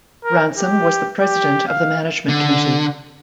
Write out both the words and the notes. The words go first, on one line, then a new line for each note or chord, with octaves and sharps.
Ransom was the president of the management committee.
A#4
G4
G4
F5
D3